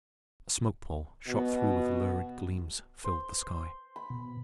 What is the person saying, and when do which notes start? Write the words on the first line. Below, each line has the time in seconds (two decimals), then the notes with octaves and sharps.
A smoke pall, shot through with lurid gleams, filled the sky.
1.28 B2
3.04 C5
3.96 B5
4.10 B2